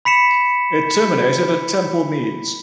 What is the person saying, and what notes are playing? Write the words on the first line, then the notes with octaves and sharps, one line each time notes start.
It terminated at Temple Meads.
B5 B6 C#7 E7